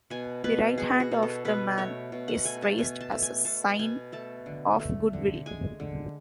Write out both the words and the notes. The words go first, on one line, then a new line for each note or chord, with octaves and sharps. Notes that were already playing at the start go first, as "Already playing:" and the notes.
The right hand of the man is raised as a sign of good will.
B2 G#5
B2 B4
B3 G#4
F#4
B2
A4
B2 B4
A3 C#5
B2
F#5
A3 G#5
A5
B2 G#5
A5
A3
G#5
B2 A5
B2 G#5
A3 A5
D3
A3
D3
G#3 G#5
D3